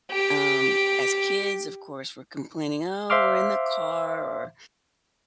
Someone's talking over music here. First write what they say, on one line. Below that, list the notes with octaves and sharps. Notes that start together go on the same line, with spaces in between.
Um, as kids, of course, we're complaining, "Oh, we're in the car," or,
G4 G5
C5 E5 F5 C6 D6 F6